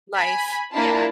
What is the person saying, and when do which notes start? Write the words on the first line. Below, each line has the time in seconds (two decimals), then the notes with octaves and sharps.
Life. Yeah.
0.16 G#5 B5
0.72 A#3 D4 E4 F4 A5